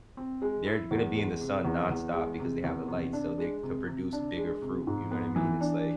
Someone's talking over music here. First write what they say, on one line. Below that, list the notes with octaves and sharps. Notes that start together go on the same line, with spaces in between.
They're gonna be in the sun nonstop because they have the lights, so they could produce bigger fruit, you know what I mean? It's, like
C4
G#3
E4
E2
G#3
C3
E2
E2
G#3
C3
E2
C3
D4
G#3
C3
C3
D4
G#3
C3
G#2
B3
E3
D4